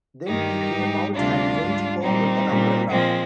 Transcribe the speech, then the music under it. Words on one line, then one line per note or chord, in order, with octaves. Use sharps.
Then he came out, and went home with an umbrella.
G2 D#3 G3 D#4 G4
G#2 G3
D2 C3 G3 D4 F4
G#2 G3
A#2 G3 C4 D#4
A#2 G3
A#2 F3 G#3 C4